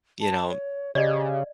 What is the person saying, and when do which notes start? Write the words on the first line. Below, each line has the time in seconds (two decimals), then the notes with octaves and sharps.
you know,
0.21 A5
0.50 C#5
0.95 C#3 G4 D5 D#5